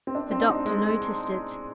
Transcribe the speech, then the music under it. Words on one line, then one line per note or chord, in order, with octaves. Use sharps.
The Doctor noticed it.
C4
D4
C4
D4
D#4
G#3